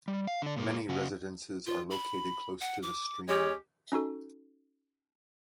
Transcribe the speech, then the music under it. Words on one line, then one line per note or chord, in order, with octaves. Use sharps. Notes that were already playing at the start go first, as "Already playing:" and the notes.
Many residences are located close to the stream.
G3
F5
D3 D4
A#2 G#3 A#3
C#3 F#4
F4
B5
F#5
D6
G#3 C#4 G4 C#5
C#4 D#4 F#4 A4